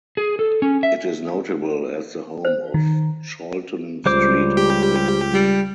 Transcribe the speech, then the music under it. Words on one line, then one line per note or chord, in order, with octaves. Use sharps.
It is notable as the home of Chalton Street Market.
G#4
A4
C#4
E5
C5
D#3
C#2 G3 C5 D6
G4
G3